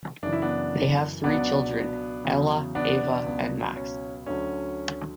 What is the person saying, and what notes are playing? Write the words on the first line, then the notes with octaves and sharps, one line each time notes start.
They have three children-Ella, Ava and Max.
F#2 C#3 E3 D4
E4
B3 D4
C#2 B2 F#3 B3 D4
E2 C#3 F#3
B3 D4
C#2 B2 F#3
C#4
D2 D3 F#3 C#4